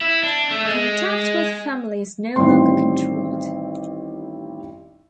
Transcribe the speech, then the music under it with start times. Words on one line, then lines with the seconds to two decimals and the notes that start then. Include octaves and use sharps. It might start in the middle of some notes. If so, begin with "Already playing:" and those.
Contact with family is no longer controlled.
0.01 E4
0.23 D4
0.51 A3
0.65 G#3
2.36 A1 D#3 G3 C4 C6